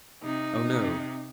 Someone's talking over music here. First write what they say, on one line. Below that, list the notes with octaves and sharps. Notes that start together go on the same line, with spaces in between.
"Oh, no."
C3 D#4
C3